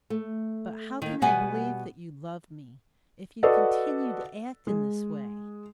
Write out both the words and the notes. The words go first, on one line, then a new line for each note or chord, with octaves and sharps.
'But how can I believe that you love me, if you continue to act in this way?
A3
D#3 A#3
B2 G3 B3 D#5 F#5 G#5
F#4 A4 B4 D5 D#5 F#5
G#3